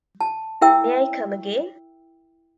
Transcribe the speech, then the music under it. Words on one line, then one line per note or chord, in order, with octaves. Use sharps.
May I come again?
A5
E4 A#4 E5 G5 E6